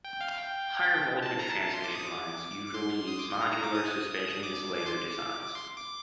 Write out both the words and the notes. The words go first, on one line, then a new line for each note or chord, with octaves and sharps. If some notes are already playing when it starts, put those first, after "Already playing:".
Higher voltage transmission lines usually use modular suspension insulator designs.
G5
F5
F5
G5
A5
A#5
A5
A5
C6
D6
D#6
D6
D6
C6
D#6
D6
C6
A#5
A#5
D6
D#6
D6
D6
C6
D6
D6
D6
C6
D6